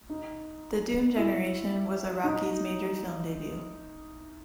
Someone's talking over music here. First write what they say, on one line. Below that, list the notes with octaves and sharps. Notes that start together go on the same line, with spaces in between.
"The Doom Generation" was Araki's major film debut.
D#4
E4
D#4